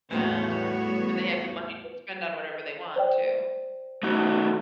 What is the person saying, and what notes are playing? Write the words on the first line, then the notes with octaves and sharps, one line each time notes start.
Ah. And they have the money to spend on whatever they want, too.
E2 A2 G3 B3 F#4 C#5
C5 D5 G5
A3 D#4 F#4